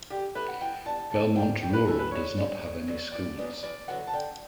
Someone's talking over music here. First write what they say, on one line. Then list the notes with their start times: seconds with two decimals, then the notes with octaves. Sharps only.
Belmont Rural does not have any schools.
0.10 D3 G4
0.35 A3 E4 G4 B4
0.48 F#5
0.61 E3 G5
0.86 G3 B3 D4 A5
1.10 C#3 A5
1.36 E3 G3 D4 G5
1.62 E2 G5
1.73 B4
1.86 C#3 F#3 A3 C#4 A4
1.99 B4
2.12 G2 C#5
2.37 D3 G3 C#4
2.62 D2
2.87 D3 F#3 B3 D4
3.12 E2 D5
3.38 C#3 F#3 B3 D4
3.63 E2 D5
3.88 D3 F#3 B3 F#5
4.07 A5
4.13 D3 G5